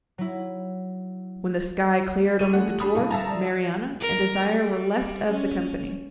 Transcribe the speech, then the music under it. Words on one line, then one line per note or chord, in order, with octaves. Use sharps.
When the sky cleared, only the dwarf, Marianna, and Desire were left of the company.
F#3 E4
G3 G#3 C#4 G4 D#7
A3 F#5
G3 D4 B5 D#6
D2 G2 B2 E4 F5 A5
D3 F3 G3 E5 F5 A5 A#5
D5
A#4
G3
C#4